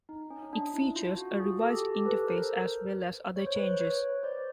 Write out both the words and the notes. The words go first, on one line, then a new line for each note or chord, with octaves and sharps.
It features a revised interface as well as other changes.
D#4
C#4
D#4
D4
E4
F4
F#4
G#4
G4 A4
G4 A4
A4 B4
A#4 C5
C#5
C5
B4 C#5
B4 C#5
C5 D5